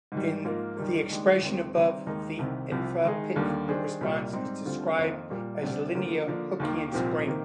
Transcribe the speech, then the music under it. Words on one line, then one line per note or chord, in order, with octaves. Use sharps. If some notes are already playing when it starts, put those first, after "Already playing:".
In the expression above, the enthalpic response is described as a linear Hookian spring.
G#2 D#3 G3
G#2 F3 A#3 F4 A#4
D#2 D#3 G3 A#3
D#2 D#3 G#3 D4 G4
D#2 D#3 G#3 C4
D#3 G3 C4 D#4
D#2 D#3 G#3 D#4 A#4
C2 C3 D#3
C2 C3 F3
D#3 G#3 D#4 G#4
D#2 D3 G3 A#3
D#3 G3 D4 G#4 C5
C2 A#2 G3 A#3
G#2 G3 C4 D#4 G4
D2 D3 G3 C4 F4
F2 D#3 A#3 F4
A#2 G3 A#3
D2 C3 G3 D4
D2 D3 F3 A#3
D3 F3 A#3 D4
D#2 D#3 A#3
C2 A#2 F3 C4 G4
C3 D#3 A#3